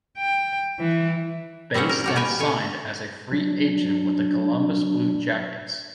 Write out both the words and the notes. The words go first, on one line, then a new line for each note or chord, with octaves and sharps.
Bass then signed as a free agent with the Columbus Blue Jackets.
G5
E3
G3 C4 C#4 F#5 G5
A#4
F#4 G4 A#4
G4 A#4 B4 G5 G#5
A#2 D3 C#5 G#5
F#3 D4